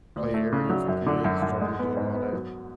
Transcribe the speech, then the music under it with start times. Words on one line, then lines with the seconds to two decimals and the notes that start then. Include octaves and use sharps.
play area for kids, jungle gym, all that.
0.16 D2
0.34 A3
0.52 C#3
0.70 F#3
0.88 F#2
1.06 D3
1.25 F#2
1.42 F#2
1.61 G#3
1.79 B3
1.97 G#2
2.14 B3
2.33 F#3